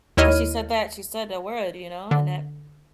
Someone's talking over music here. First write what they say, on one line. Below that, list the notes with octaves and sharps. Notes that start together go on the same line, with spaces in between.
'Cause she said that she said the word, you know, and that
D#2 E4 C#5 D#5 F6 D#7
D3